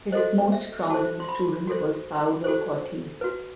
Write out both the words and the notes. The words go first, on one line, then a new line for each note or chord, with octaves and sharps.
His most prominent student was Paolo Cortese.
F#4 A4 C5 D#5
E5
F#4 A4 C5 A5
C6
B5
F#4 A4 C5
F#4 A4 C5
F#4 B4